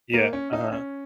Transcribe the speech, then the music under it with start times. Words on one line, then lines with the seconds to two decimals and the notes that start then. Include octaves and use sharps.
Yeah, uh-huh.
0.14 A#3
0.33 C#4
0.53 D#4
0.72 C#4